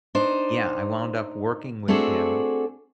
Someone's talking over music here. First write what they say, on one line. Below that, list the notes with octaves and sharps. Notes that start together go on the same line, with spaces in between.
Yeah, I wound up working with him,
D4 D#4 C5
A3 C4 D4 F#4 G#4 A4